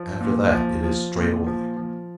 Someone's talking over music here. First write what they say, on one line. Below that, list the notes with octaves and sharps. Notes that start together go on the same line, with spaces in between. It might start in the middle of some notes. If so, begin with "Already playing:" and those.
"After that it is straight away."
Already playing: F3
A#2
F3
F3
A#2
F3
F3